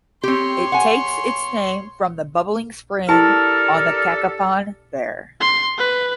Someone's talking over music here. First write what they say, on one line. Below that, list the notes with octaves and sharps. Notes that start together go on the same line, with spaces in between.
It takes its name from the Bubbling Spring on the Cacapon there.
C4 G4 C#5 C6
F#5 G#5
D4 E4 G4 A4 A#4 A5
C6
B4